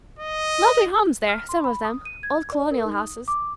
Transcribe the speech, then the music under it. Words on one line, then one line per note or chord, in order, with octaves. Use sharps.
Lovely homes there, some of them,--old colonial houses.
D#5
F6
C6
B5
D#6
D#7
G#6
D5
A#4
D#4
D#6
D6